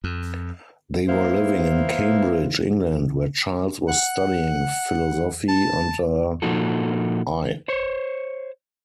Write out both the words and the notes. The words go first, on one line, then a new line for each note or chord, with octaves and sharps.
They were living in Cambridge, England, where Charles was studying philosophy under I.
F2
A#3 B3 E4 C5 F5
F#5
A5
A#2 F3 A#3 D#4 F#4 A4
C5 C#5